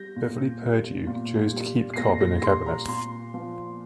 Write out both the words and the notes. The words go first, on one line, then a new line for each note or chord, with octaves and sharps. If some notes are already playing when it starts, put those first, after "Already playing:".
Beverly Perdue chose to keep Cobb in her cabinet.
Already playing: G3 G6 A#6
A#2
G3
A#2
G3
C7
A#2 A#6
A#6
G3 C6
A#5
A#2 C6
F3